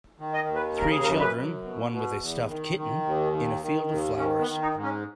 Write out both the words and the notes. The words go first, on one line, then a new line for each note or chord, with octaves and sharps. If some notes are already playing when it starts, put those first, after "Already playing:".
Three children, one with a stuffed kitten, in a field of flowers.
D#3
D#5
D#2
B4
C#3 A#4
G#4
F#2 A#4
B4
F#2
B2
B2
E2
D#3
D#3
D#2
D#3
D#3
D#2
D#3 C#4
B3
D#3
D#4
G#2
C#4